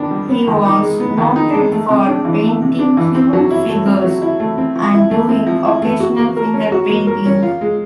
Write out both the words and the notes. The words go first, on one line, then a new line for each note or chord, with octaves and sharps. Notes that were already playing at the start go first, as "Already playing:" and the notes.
He was noted for painting human figures and doing occasional finger painting.
Already playing: D#3 B3 D4
G3
B3
D#3
D#4
G#3
B3
D#3
D#4
G#3
A3
C3
D4
E3
A3
C3
D4
E3
C4
F#3
E4
A3
C4
F#3
E4
A3
C4
F3
E4
A3
C4
F3
E4
A3
F#4
A#3
A#4
C#4
F#4
A#3
A#4
C#4
F4
G#3